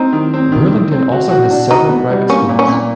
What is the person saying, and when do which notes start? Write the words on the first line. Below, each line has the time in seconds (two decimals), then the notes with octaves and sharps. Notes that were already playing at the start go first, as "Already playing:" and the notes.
Burlington also has several private schools.
Already playing: C4 D#4
0.13 D#3
0.33 C4
0.52 D#3
0.72 D#3
0.92 C4
1.12 F#4
1.31 F#4
1.50 D4
1.70 D#4 F#4
1.89 B3
2.10 G3
2.29 A#3 C#4
2.49 A#2
2.59 C#4
2.68 A#2